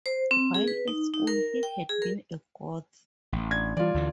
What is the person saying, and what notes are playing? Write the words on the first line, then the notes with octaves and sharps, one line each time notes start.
While at school, he had been a Goth.
C5
C4
G#4
B4
D#4
D#4
A#4
G5
G#4
A#4
A1
D4 G#6
E3 G3 F4 D5
D2 D3 E3